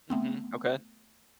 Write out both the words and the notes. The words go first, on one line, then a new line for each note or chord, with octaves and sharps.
Mhm. Okay.
A3 B3 C4